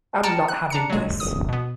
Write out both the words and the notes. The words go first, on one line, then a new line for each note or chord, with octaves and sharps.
I'm not having this.
G5 A5 A#5 F6 A6 C#7
F#6
D4 A#5 C#7
F#3 G#3
D#6
B2 B3